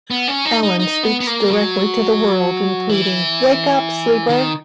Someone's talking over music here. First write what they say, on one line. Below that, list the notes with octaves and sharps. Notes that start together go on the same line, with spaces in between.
Allan speaks directly to the world in pleading Wake up, sleeper!
B3
C#4
D#4
D#4
D#4
B3
B3
A#3
F#3
E3
D#3